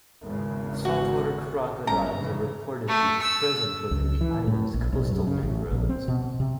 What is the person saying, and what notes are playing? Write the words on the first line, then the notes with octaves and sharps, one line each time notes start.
Saltwater crocodiles are reported to be present within the island's coastal mangroves.
G#1 E2 C#3
F#4
G1 G2 C#4 A#5
F1 C#3 E3
A3
E6
C#2
E3
A2
A#1
B1
F#2
C#3
A1
A#1
C4
B2
C3